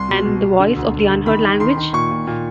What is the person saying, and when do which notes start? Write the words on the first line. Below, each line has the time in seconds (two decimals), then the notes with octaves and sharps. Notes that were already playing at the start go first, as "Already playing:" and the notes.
And the voice of the unheard language?
Already playing: C2 C6
0.08 B2
0.25 B2
0.42 B2
0.59 D3
0.76 D2
0.92 D2
1.09 D3
1.26 D#3 B5
1.43 D#3
1.60 D#3 C6
1.77 D#3
1.93 A#2 C#6
2.11 A#2
2.27 A#2